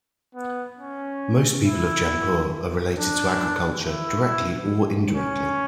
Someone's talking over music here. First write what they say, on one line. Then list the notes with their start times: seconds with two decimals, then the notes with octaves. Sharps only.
Most people of Jampur are related to agriculture directly or indirectly.
0.35 B3
0.79 C#4
1.65 E4
2.97 D4
3.84 E4
5.15 C#4